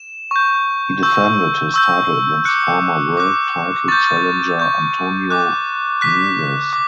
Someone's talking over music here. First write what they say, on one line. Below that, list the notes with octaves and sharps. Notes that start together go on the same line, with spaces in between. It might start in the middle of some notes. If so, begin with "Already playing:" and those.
He defended his title against former world title challenger Antonio Nieves.
Already playing: E7
C#6 G6
C#6 E6 G6
C#6 E6 G6
D6 F#6 C#7
D6 F#6
C#6 G6 A6
C#6 G6
D6 F#6
D6 F#6 B6
D6